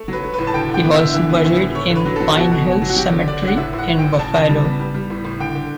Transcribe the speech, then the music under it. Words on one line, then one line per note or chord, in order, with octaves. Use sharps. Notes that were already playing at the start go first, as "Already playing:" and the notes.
He was buried in Pine Hill Cemetery in Buffalo.
Already playing: A3
F#3 B4
A3
B4
A2
A5
D3 G5
D3
G5
B3
E5
D3
E3 E5
B3
E5
A2
A2
A3 C#5
D3
B4
F#3
A4
F#3
B2 F#4
B2
B2
F#3
F#4
F#3 G4
D3
D3 D5
F#3 F#5
A2 E5
A2
F#5
A2
G5
A2
C#3 A5
C#3 A5
G3
B3
G3
G3
A2
A2
D3 G5
D3